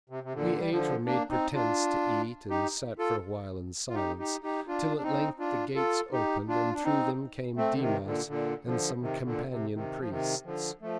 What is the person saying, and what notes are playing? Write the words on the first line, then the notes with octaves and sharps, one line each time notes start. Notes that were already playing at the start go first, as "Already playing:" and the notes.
We ate, or made pretence to eat, and sat for a while in silence, till at length the gates opened, and through them came Dimas and some companion priests.
C3
C3
A#2 D3
G3
D3 F3
A#3 D4
C4 D#4
D4 F4
D#4 G4
F4 A4
F4
D#4 G4
D#4 G4
D#4 G4
D4 F4
D4
C4 D#4
D4 F4
F4 A4
D#4 G4
D4 F4
D4
C4 D#4
A3 C4
D3
C3 D#3
A#2 D3
A#2 D3
D3 F3
C3 D#3
A#2 D3
C3
C3 D#3
F3
C3 D#3
D3 F3
F3 A3